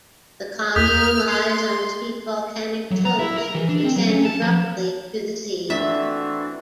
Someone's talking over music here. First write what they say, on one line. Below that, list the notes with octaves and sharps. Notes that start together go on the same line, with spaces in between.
The commune lies on steep volcanic slopes which descend abruptly to the sea.
E2 D#6 F6 G6 B6
C6
F#3
A#5
E4
A#4
E3
D4
C4
F#3
C#4
A5
F3
E3 A3 C4 D4 F#4 E5